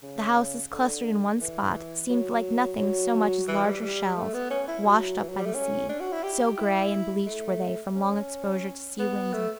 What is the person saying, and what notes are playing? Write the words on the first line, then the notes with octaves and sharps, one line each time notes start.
The houses, clustered in one spot, seemed like nothing so much as larger shells washed up by the sea, so grey and bleached were they from long exposure to sea winds and spray.
C#3
D3
E3
F#3
F#3
E3
G3
G3
A3
B3
C#4
E4
F#3
E3
F#3
G3
A3
C#4
D4
F#4
E4
G4
E4
A3
C#4
B3
A3